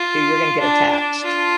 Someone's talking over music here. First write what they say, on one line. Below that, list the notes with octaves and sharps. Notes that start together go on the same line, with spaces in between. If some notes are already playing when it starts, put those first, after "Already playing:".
you you're gonna get attached.
Already playing: F4
D4
D4
F4